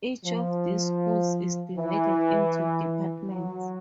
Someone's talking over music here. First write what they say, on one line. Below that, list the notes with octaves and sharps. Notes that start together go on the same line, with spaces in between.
Each of these schools is divided into departments.
F3
E3
F#3